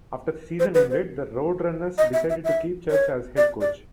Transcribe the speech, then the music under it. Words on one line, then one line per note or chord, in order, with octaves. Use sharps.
After the season ended, the RoadRunners decided to keep Church as head coach.
C5
B4
C5
D#5
E5
E5
E5
C#5
D5
D5